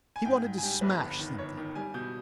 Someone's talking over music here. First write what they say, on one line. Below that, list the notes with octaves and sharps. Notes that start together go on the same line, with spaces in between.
He wanted to smash something.
G#5
G#2 G5
G#2
G#5
G3 G5
A#1 B4
G1
D#3
G1 C#5
D#3
G3 G#5
B2 G6